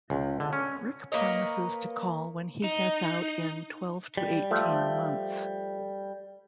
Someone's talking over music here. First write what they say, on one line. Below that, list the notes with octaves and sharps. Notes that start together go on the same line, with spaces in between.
Rick promises to call when he gets out in twelve to eighteen months.
C#2
D3
C#4
A#3 B4 C#5 D#5
D#4
G3
F3 A3